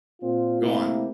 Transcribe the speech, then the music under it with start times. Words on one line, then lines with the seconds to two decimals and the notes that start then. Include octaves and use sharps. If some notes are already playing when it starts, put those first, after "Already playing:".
go on.
0.22 A#2 C4 F4
0.62 C3 A3 A#3 E4 G4